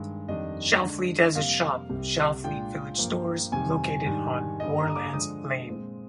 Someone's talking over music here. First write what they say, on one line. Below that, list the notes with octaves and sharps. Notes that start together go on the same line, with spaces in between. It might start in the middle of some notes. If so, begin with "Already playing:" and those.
Shalfleet has a shop, Shalfleet Village Stores, located on Warlands Lane.
Already playing: G2 D#3 G#3
F2 D#3 G3 D4 D#5
D3 G#3 D4
F2 C3 G3 A#3 F5
C2 C3 G3
A#2 G#3 D4 F4 G5
G2 F3 A#3
F2 C3 D#3 G3 G#5
G#2 D#3 G3 D4
G2 D3 G3 A#3 D#5
A#5
D#6
D6
D3 F3 G#3 D4 D#6
A#2 G#3 C4